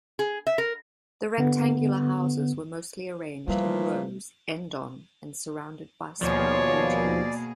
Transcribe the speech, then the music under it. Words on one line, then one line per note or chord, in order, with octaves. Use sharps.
The rectangular houses were mostly arranged in rows end-on and surrounded by small courtyards.
G#4
E5
A#4
D3 B3
A#2 E3 F3 G3 A3
D#2 B2 F3 A#3 G#4 C#5 D5